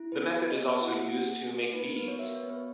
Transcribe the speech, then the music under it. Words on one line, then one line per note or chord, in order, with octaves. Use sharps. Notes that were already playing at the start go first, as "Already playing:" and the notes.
The method is also used to make beads.
Already playing: E4
B3 B4
G#4 B4
D#5
B3
E5
E4 F#5
A#3 F#5
G#4
A#3
D#4 B4
A#4
B3 B4
C#5
F#4 E5
C#5
B3
B4